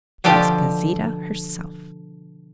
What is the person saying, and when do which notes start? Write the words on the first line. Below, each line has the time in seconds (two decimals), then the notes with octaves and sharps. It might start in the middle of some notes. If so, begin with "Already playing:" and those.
It was Gauzita herself.
0.24 B2 D3 F3 G4